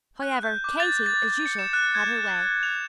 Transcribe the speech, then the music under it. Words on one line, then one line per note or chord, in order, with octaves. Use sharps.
However, Katy, as usual, had her way.
F#6
G6
D6
A6
A6
C#7
E7
F#6
G#6
F7